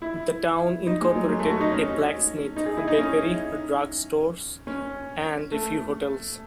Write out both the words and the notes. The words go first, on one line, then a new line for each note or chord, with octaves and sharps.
The town incorporated a blacksmith, bakery, drug stores, and a few hotels.
E4
D#4
G#3
F#3
G#3
A3
F#4
D#4
C#4
D#4
G#4
E4
D#4
C#4
C#4
A3